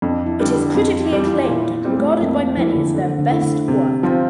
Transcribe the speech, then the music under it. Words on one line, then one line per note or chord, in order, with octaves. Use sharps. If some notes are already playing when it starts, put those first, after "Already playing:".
It is critically acclaimed and regarded by many as their best work.
F2 D4
E4
D3 G3
D4
F2 F4
G4
E3 G3
F4
A#2 E4
G3 C4
A3
F2 A#3
C4
E3 F3 A#3 E4
D3
D3
D3
A3 E4
D3
C3
F3 C4 F4